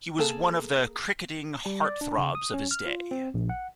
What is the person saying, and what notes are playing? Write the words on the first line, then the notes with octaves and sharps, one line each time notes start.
He was one of the cricketing heart-throbs of his day.
A#3 G#4 A4
G3
D5
D4
C#3
D#6
C#4
F6
F4
C4
A#1
F#5